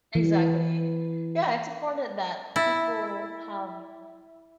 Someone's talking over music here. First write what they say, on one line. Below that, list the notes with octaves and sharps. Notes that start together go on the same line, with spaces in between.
Exactly, yeah, it's important that people have
E3
E4 E5 G#5 A6